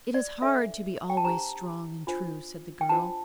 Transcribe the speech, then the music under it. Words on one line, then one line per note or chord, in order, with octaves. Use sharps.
"It is hard to be always strong and true," said the girl.
D5
D4 A4 C5 E5
G5
A5
D4 G4 C5 A#5
D4 F4 C5
G5
D4 F4 C5 A5